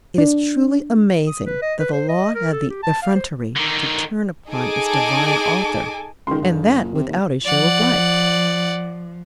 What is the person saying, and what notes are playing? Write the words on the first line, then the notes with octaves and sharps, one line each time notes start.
It is truly amazing that the Law had the effrontery to turn upon its divine Author, and that without a show of right.
D4
D#6
B4
D#5
B4
C5
D#5
A#4
A4
G4
A5
F5
C5
D3 D#3
D#4 G#4 A4 G#5 D6
C#2 D#3 C6
F#1 D3
A#2
C3
F1 D#2
F3 D5 F#5